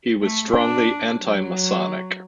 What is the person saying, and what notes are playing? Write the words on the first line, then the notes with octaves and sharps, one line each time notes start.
He was strongly Anti-Masonic.
A3
D4
F#3